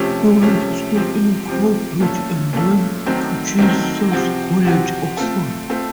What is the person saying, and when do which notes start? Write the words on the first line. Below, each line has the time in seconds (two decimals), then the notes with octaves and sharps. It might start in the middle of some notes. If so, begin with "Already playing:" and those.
He went to school in Cowbridge and then to Jesus College, Oxford.
Already playing: C3 F3 A3 C#4
0.41 C3 F3 A3 C#4
0.94 C3 F3 C4
1.47 C3 F3 C4
2.00 A#2 A3 C#4 F4 A4
2.53 A#2 A3 C#4 F4 A4
3.06 D#3 F#3 A3 C4
3.59 D#3 F#3 A3 C4
4.12 C3 F3 C4 F#4
4.64 C3 F3 C4 F#4
5.17 A3 C4 F4 A4
5.70 A3 C4 F4 A4